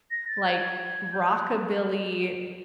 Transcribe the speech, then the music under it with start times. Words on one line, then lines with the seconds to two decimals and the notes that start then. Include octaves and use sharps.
like, rockabilly
0.10 A#6
0.27 A6
0.44 G#6
1.12 G6
1.28 F#6